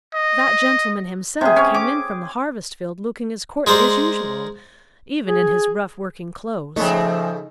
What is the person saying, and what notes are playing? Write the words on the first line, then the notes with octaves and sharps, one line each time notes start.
That gentleman himself came in from the harvest field looking as courtly as usual, even in his rough working clothes.
D#5
C3 G#4
C#4
D6
G#3 A#4 C5 D5
G#4
C#3 F3 G#3 A3 C4 D#4 D#5